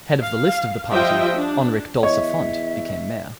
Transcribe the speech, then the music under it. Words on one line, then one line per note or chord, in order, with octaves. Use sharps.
Head of the list of the party, Enric Dolsa Font became mayor.
F5
F3 G3 F4 D#5 E5 G5
D4
E2 C#5 D#5 E5